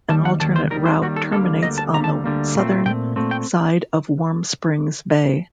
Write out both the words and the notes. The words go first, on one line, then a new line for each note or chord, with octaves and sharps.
An alternate route terminates on the southern side of Warm Springs Bay.
D#2 D#3 G3 A5
F#5
D#2 D#3 G3 A5
C5
D#2 D#3 G3 A#4
C5
D#2 D#3 G3 F#4
A4
D2 D3 G3 A#3 A4
D2 D3 G3 A#3 D#5
A5
D2 D3 G3 A#3 A#5
A5
D2 D3 G3 A#3
A#2 A3 C4
A#2 A3 C4 G5
A#2 A3 C4
G5